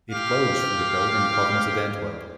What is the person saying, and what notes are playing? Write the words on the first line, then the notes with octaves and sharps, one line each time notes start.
It flows through the Belgian province of Antwerp.
G4 F5